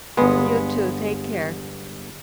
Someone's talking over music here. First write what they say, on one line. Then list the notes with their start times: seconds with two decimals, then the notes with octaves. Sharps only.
You too. Take care.
0.17 G1 G#3 B3